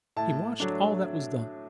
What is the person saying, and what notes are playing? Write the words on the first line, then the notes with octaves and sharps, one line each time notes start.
He watched all that was done.
A2 A5
F#3 A3 D4